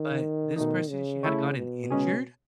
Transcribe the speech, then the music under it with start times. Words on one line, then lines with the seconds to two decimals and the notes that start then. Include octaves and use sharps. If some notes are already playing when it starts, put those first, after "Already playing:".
but this person, she had gotten injured
Already playing: D#3
0.56 B2 D#3 A3 D#4
0.90 C#3
1.23 A3 E4 A4 C#5
1.57 B2
1.90 C#3 G#3 C#4 G#4